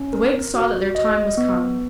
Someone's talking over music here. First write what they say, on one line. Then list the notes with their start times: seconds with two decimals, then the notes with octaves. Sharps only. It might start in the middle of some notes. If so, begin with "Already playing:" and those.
The Whigs saw that their time was come.
Already playing: C#4
0.13 A#4
0.54 F#4
0.95 D#5
1.37 B3